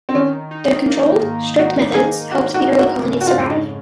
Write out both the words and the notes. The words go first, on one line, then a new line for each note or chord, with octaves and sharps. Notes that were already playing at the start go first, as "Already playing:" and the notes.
Their controlled, strict methods helped the early colonies survive.
C4
D#3 C#4
D#4
A#3
G#2
D#3 F#4
D#4 G#4
A#3 F#4
F#4
G#2
F#4
C#3
F#4
F4
F2
D#4